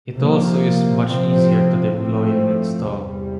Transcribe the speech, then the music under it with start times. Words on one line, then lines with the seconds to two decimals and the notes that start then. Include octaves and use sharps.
It also is much easier to deploy and install.
0.14 C3 F3 A#3
1.04 C3 F3 C4
1.93 A2 F3 A3 C4
2.83 E2 C3 G3